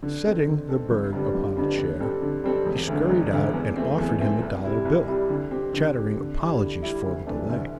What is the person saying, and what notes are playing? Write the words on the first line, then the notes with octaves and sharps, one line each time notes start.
Setting the berg upon a chair, he scurried out, and offered him a dollar bill, chattering apologies for the delay.
D3
C4 A4
D3
C4 A4
G1
G2 D3 G3 C4
G1
G2 D3 G3 C4
D3
G3 C4 A4
D3
G3 C4 A4
E1
D2 D3
E1
D2 D3
E2
E3 A3 C4
E2
E3 A3 C4
C2
C3 G3 E4
C2
C3 G3 E4
D3
C4 G4
D3
C4 G4
D3
G3 E4
D3
G3 E4
D2
C3 E3 A3 D4
D2